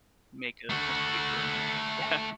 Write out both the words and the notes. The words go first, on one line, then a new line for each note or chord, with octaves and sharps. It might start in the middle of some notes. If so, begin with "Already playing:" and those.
make a escape room, yeah.
A3 F#4